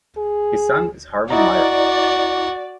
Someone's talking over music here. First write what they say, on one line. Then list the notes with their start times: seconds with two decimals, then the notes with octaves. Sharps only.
His son is Harvey Meyerhoff.
0.17 G#4
1.30 E4 F#4 D5 D#5 A#5